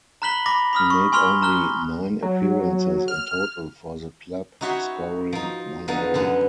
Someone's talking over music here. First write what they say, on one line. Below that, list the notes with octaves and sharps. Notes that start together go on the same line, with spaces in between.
He made only nine appearances in total for the club, scoring one goal.
A#5 B5 F#6 B6 F#7 G7
B5 D6 A#6
B5 D#6 F6
C#6
G#5 C6 C#6 F6 F7 G7
A#5 F6 F#6 G7
F#3
F6
D#4 E4 F#4 C#5 E5 C6
F3 D#4
D3 F3 B3 D#4
F#2 D3 B3